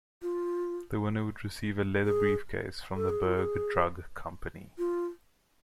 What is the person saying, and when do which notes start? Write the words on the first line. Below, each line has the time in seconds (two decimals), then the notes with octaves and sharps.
The winner would receive a leather briefcase from the Berg Drug Company.
0.22 F4
2.05 G#4
2.96 A4
3.09 G#4
3.24 F4
3.37 G#4
4.78 F4